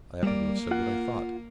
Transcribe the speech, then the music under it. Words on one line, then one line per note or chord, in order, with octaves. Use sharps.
I happen to have said what I thought.
G3 A#3 D5
F4 F#5